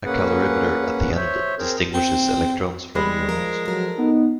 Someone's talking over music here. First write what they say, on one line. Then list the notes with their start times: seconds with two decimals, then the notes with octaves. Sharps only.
A calorimeter at the end distinguishes electrons from muons.
0.05 A#3 C#4 G#4 B4 F#5
1.16 C5 C#5 E5
1.59 C4 G#4 A#4
1.94 C4
2.95 G3 G#3 B5
3.29 F3 A#4
3.66 F#3 A4 A#4
3.98 B3 D#4